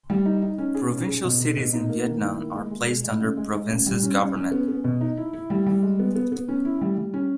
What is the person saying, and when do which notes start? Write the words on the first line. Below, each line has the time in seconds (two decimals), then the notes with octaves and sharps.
Provincial cities in Vietnam are placed under the province's government.
0.10 G3
0.26 D#4
0.42 D#4
0.58 C#4
0.75 G#4
0.91 C#4
1.08 G#4
1.24 B2
1.40 B2
1.57 B2
1.73 D#4
1.89 A#3
2.06 D#3
2.22 E4
2.38 A#3
2.55 G#3
2.71 G#3
2.88 G#4
3.04 G#3
3.20 C#3
3.37 G#3
3.53 G#3
3.69 C#3
3.86 G3
4.03 C#4
4.19 C#4
4.35 C#4
4.51 B3
4.68 B3
4.84 B2
5.01 D#4
5.17 E4
5.33 E4
5.50 G3
5.66 G3
5.83 G#3
5.99 B3
6.16 B3
6.32 B3
6.48 C#4
6.65 E4
6.81 G3
6.97 G3
7.14 C#4